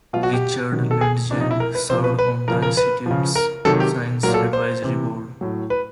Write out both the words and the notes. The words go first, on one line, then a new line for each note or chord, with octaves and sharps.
Richard Lindzen served on the Institute's Science Advisory Board.
B2 F#3 F4
F#4
G4
C3 D#3 F#3
A4
G#4
C3 F3 D4
D#4
E4
A#4
B4
C3 F3 C5
B4
B4
C#3 F3 A#4
A#4
B4
C#3 F3
A#4
C3 D#3 F#3 A4
G4
A#2 F#3 A#4
A4
C5
C3 E3
A2 F#3
B4